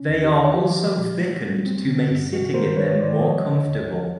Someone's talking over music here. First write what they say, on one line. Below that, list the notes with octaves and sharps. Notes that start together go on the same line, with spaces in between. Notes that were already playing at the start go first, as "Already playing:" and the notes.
They are also thickened to make sitting in them more comfortable.
Already playing: C#4
D#2
G4
D#3
F3 G4
F3
A#2
A3
G3
C4
D3
G2
C3 F#4
D#3 A#4 C5
D#3 B4 C#5
C#5
D#3 C5 D5
F3 C#5 D#5
D3
D#2
F3